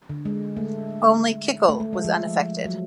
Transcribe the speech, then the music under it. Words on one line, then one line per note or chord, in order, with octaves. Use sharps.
Only Kickle was unaffected.
D3
G#3
A3
A3
A3
G#3
F3
F#3